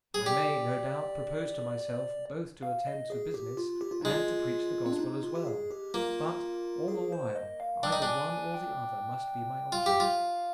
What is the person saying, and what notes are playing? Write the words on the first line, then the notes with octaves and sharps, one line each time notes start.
I may, no doubt, propose to myself both to attend to business and to preach the gospel as well; but, all the while, either one or the other must be my object.
G#4
G4 D5
F5
D#5
G#4
G4
F4
G4
F4
G#3 D#4
F4
C4
D4
D#4
F4
G4
G#4
G4
A#3 F4
G#4
C5
D#5
F5
D4 G5
D#4
D4 G#5
G#5
G5
F4 F5
G4
F4